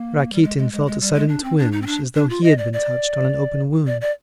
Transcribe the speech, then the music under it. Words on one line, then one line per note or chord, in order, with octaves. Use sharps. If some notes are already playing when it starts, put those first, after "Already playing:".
Rakitin felt a sudden twinge as though he had been touched on an open wound.
Already playing: A#3
G3
G#3
G#3
G#3
G#3
G3
G#3
D4
C4
D4
D#4
C4
D4
D4
F4
D#5
D5
D5
D5
D5